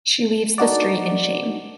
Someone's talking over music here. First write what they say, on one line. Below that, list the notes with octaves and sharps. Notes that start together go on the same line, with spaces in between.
She leaves the Street in shame.
D4 D#4 F#4 D5